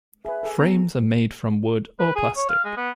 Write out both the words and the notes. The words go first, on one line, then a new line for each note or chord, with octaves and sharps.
Frames are made from wood or plastic.
G#4 B4 E5
G#4 A4
B3 A#5
B4
G#4
C#5
F5
G#3
B3